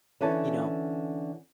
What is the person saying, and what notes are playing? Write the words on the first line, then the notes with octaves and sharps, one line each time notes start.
You know
D3 E3 C#4 A4 A5